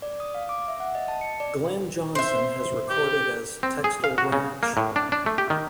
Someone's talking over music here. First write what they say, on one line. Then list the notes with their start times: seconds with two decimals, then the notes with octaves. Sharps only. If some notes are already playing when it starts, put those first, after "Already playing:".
Glen Johnson has recorded as 'Textile Ranch'.
0.02 D5
0.20 D#6
0.35 F5
0.49 D6
0.68 E5
0.80 F#5
0.95 D#5
1.08 A5
1.21 C#7
1.40 D5
2.15 C5 E5
2.90 G4
3.63 C4
3.84 G#4
4.04 F5
4.18 F#4
4.32 C#3
4.63 A#3
4.77 A2
4.96 D4
5.12 D4
5.26 A3
5.38 G4
5.50 D#3